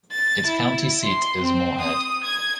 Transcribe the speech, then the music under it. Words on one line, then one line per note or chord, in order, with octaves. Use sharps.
Its county seat is Moorhead.
A6
E4
C6
C4
D#6
G#6